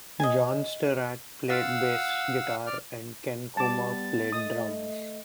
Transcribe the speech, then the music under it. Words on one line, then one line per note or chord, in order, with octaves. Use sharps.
John Stirratt played bass guitar and Ken Coomer played drums.
D#5 G#5
F4 F5 F#5 E6
D5 F6
G3 B3 A5 D6 A6
A3 D#5 D#6